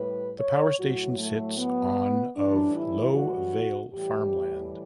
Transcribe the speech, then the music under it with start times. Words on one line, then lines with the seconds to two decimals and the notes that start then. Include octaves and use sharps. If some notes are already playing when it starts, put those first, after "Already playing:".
The power station sits on of "low vale farmland".
Already playing: A2 G3 B4
0.39 C#5
0.78 A2 F#3 F#4
1.18 A3
1.58 B3
2.36 A2 E3 G3 D4
2.75 E4
3.14 F#4
3.93 A2 E3 G3 G4